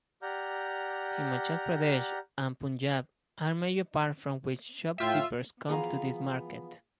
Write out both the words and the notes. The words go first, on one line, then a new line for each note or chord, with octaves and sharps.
Himachal Pradesh and Punjab are major parts from which shopkeepers come to this market.
G4 D5 F#5 A#5 F6 G6
A2 F4 E5 G5
E3 F3 B3 G#4 F5 A#5